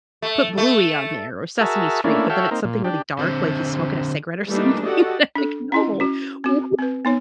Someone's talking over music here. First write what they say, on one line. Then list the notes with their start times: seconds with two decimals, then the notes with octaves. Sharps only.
put Bluey on there or Sesame Street, but then it's something really dark, like he's smoking a cigarette or something, and I'm like, "No, well, who
0.22 A3
0.58 A3
1.60 F#4 G#4 A#4 E5 A5
2.04 A3 A#3 C#4 D4 E4
2.30 F#4 A4 C#5 E5 F5 G5
2.51 A#3 C4 D#4
2.64 A#2
2.84 D4 G4
3.19 D3 C4
4.48 E3 G3 A3 A#3 D4 D#4
4.85 F#4 G4 A4 D5 D#5 F#5
5.35 D4 A4
5.72 C#4 E4 D#5
6.00 C#4 F#4
6.44 C4 F#4
6.78 C4 B4
7.05 B3 D#4 C#5